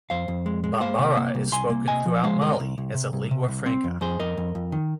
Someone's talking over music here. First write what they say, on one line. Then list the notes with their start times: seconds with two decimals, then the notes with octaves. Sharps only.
Bambara is spoken throughout Mali as a lingua franca.
0.10 F2 C5 F5
0.28 F2
0.46 G#3
0.64 G#3
0.81 A#3 C5 F5
0.99 C3
1.17 A#3
1.35 C2
1.52 C2 G#5 C6
1.70 A#3
1.88 C3 D#5 G#5
2.06 F3
2.24 G#3 C5 F5
2.41 C2 A#4 D#5
2.60 C2
2.78 C2
2.94 C3
3.13 C2
3.31 C3
3.48 C2
3.66 C4
3.84 F2
4.01 F2 G#4 C5
4.20 F2 A#4 D#5
4.37 F2
4.55 F2
4.72 D#3